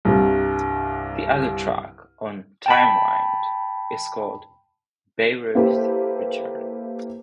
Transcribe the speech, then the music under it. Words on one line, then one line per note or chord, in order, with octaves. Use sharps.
The other track on "Timewind" is called "Bayreuth Return".
C2 G2 C3
G5 A5 B5
A#3 E4 G4 A4 B4 C5